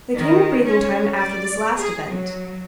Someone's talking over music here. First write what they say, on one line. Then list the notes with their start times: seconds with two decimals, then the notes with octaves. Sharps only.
There came a breathing-time after this last event.
0.16 D#3
0.65 C#4
1.17 D5
1.78 G#4
2.09 F#3